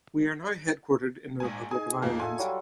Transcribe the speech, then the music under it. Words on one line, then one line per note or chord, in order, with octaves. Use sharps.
We are now headquartered in the Republic of Ireland.
A#1 G#2 G#5
D#4 G#4 G#5
F2 A#2 A#3
F4 A4 E5 G#5
F#3 G3 F4